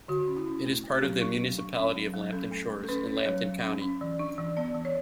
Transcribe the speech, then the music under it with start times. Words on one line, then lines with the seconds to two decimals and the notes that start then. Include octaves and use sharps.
It is part of the Municipality of Lambton Shores in Lambton County.
0.08 D3 F#4
0.27 C#4
0.37 E4
0.46 C#4
0.65 A3
0.84 A3
0.93 G4
1.03 F#3
1.21 D4
1.40 F#3
1.58 D4
1.77 C#4
1.95 F#3
2.14 F#3
2.32 C#4 A4
2.51 A3
2.70 A3
2.84 A4
2.89 C#4 B4
3.07 C#4
3.17 C#5
3.26 F#3
3.44 F#3
3.63 C#4
3.82 C#4
4.01 E3
4.19 D4
4.38 E3
4.57 B3 D5
4.75 E3
4.85 C#5